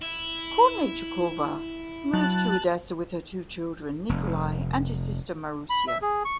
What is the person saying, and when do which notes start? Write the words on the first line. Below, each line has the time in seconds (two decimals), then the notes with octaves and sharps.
Korneychukova moved to Odessa with her two children, Nikolay and his sister Marussia.
0.02 E4
2.13 F#3 A5 F#6
4.09 F1
5.70 B5
5.87 E5
6.02 G#4
6.25 C#6